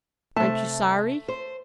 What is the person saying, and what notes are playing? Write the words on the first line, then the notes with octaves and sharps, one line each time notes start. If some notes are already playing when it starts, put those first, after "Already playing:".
"Aren't you sorry?"
C3 A3 A5
C5